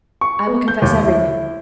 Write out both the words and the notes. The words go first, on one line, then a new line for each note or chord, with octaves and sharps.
I will confess everything.
C#6
B3
G6
D#2
E4